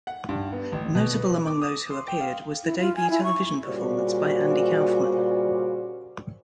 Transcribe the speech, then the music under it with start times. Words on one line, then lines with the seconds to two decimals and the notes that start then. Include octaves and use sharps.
Notable among those who appeared was the debut television performance by Andy Kaufman.
0.07 F#5
0.29 G2
0.52 B3
0.72 A1
0.95 B2
1.13 B4
1.47 D6
1.62 D#6
1.90 C6
2.08 G5
2.20 F5
2.64 E4
2.79 F4
2.96 G#5
3.10 E4
3.24 C#6
3.65 A#2 C#3 G3 F#4 C5 D5